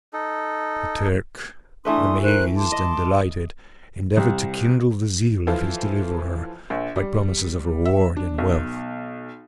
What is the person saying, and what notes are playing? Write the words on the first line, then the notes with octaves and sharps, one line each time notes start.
The Turk, amazed and delighted, endeavoured to kindle the zeal of his deliverer by promises of reward and wealth.
D#4 A4
E3 A3 D4 B4 C6 D#6
A#4 C5 F#6
A5 C6 D6
D#5
C2
E3 F3 F4 A4 C5
A#1
G3
E5
D4
B1